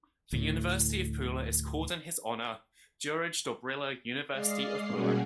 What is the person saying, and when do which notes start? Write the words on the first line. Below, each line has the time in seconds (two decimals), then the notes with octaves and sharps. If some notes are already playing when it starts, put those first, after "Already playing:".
The University of Pula is called in his honour Juraj Dobrila University of Pula.
0.32 D2 A2
4.32 G#3 D5 D#5 F5 C7
4.90 B2 G3 A#3 C#4 F#4 G#4